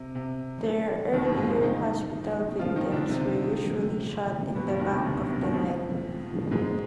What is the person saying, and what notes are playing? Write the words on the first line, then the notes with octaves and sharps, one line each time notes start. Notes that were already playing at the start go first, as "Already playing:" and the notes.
Their earlier hospital victims were usually shot in the back of the neck.
Already playing: C3
C3
D#2 D#3
F2 F3
G#2 G#3
C3 C4
D#3 D#4
F3 F4
D#3 D#4
D3 D4
C3 C4
B2 B3
G2 G3
D#2 D#3
C3
D2 D3
B2
C3
D#2 D#3
F2 F3
G#2 G#3